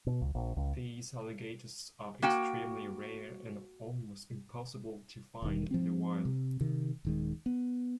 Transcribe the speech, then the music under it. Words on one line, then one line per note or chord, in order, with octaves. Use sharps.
These alligators are extremely rare and almost impossible to find in the wild.
B2
C#2
A#1
C#2
A#3 F#4 G5
E1 D#3
F3 C4
C3
C3 D#3
D#1 D#3 G#3
B3